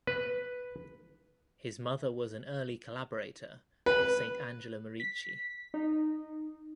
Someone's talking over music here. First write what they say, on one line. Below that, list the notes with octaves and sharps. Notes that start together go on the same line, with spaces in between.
His mother was an early collaborator of Saint Angela Merici.
B4
B4
B6
D#4